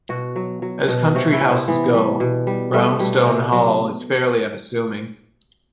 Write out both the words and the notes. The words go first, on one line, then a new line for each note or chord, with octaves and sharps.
As country houses go, Braunstone hall is fairly unassuming.
B2 F#4
F#3
F#3
B2
C3 F#4
E4
C3
C4
E3 B3
G3
B2
G3
G3 A3
B2 G3
C3
F#3